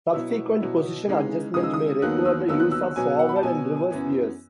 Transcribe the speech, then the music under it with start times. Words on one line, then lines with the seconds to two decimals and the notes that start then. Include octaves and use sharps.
Subsequent position adjustment may require the use of forward and reverse gears.
0.13 B2 F#3 B3 E4 E6
0.60 B2 F#3 B3 E4
1.07 C#3 E3 G#3 D#4
1.54 C#3 E3 G#3 D#4 D#6
1.63 E6
1.74 D#6
2.02 D#2 D#3 F#3 B3 F#6
2.25 E6
2.48 D#2 D#3 F#3 B3 E6
2.60 F#6
2.71 E6
2.96 B2 F#3 B3 G#5
3.19 F#5
3.29 B5
3.36 A5
3.43 B2 F#3 B3 G#5
3.91 F#2 E3 B3 E4